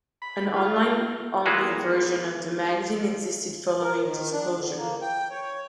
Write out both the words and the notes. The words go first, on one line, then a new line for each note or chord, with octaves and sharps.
An online only version of the magazine existed following this closure.
B5
F4
E3 G#3 A#3 B3 F4 F#4
A#4
D#3
D4
D3
A#3
G5
C#5